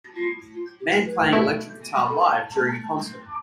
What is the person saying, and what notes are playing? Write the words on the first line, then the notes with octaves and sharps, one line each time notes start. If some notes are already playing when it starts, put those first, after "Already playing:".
Man playing electric guitar live during a concert.
F4
F4
G4
B4
B2 A3 E4
A4